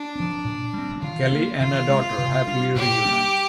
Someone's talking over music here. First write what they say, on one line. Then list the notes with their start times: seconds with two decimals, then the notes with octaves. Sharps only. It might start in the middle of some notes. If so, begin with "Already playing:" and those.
Kelli and her daughter happily reunite.
Already playing: D4
0.15 F3 C4
0.45 A#2
0.74 G3 C4
1.02 D#3 F4
1.31 A#3 D4
1.60 D#3 F4
1.89 G#3 C4
2.18 C3
2.47 G3 D4
2.76 A#2 G4
3.05 G3 A#3 D4